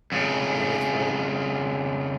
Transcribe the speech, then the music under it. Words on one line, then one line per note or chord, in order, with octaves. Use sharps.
hey, that's funny
F2 C#3